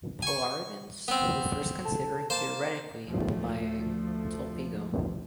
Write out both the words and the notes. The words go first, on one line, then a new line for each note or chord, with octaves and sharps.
Polaritons were first considered theoretically by Tolpygo.
G#5 C#6
B3 C4
A4
A#3 C5 A5
D2 F3 A3